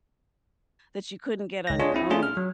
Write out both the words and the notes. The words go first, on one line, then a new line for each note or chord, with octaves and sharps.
that you couldn't get on your own.
C#2 A#6
D4 F4 G#4 C#5 D#5
C4 E4
A3 C#4 D4 F4 G#4
F6
F#3